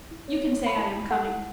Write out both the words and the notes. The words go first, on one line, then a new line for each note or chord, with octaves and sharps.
You can say I am coming.'
E4
C#5
C#5
C#5
B5
E4 A5
E4
A4 F#5
E4